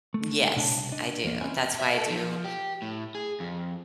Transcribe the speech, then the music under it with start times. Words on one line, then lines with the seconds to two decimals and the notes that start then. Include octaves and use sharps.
Yes. I do. That's why I do,
0.14 A3
0.56 B2 D4 E5 A5
0.75 C2
0.92 D4 D#5
1.24 E2 A#3
1.41 C4 C#4 E4 D#5 G#5
1.80 E5
1.94 A4
2.10 F3
2.44 G4
2.82 A2
3.15 G#4
3.40 F2